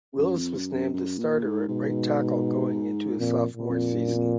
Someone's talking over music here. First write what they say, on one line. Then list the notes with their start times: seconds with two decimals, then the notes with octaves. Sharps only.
Wills was named the starter at right tackle going into his sophomore season.
0.18 F#2
0.37 F2
0.56 F#2
0.74 F#2
0.93 F#2
1.18 A#2
1.44 G#2
1.68 G#2 B2
3.19 F2 A#2
3.57 A#2
3.69 F2
3.94 F#2
4.07 F#2
4.14 F2